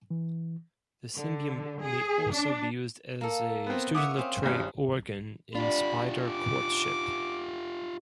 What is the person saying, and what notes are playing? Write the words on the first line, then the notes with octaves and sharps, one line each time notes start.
The cymbium may also be used as a stridulatory organ in spider courtship.
E3
D3
G#4
D4
A#3 A4
B3 C4
B4 C#5 E5 F#5 D6 D#6
C4 C#4 F4
G#1 G2
D4 F4 G4 B5
D6